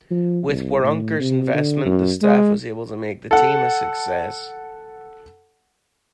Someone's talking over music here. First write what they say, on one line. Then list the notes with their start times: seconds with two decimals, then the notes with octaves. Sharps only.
With Waronker's investment, the staff was able to make the team a success.
0.11 F3
0.48 C2
0.82 A2
1.20 C3
1.54 D3
1.85 F#2
2.22 G#3
3.31 A4 F#5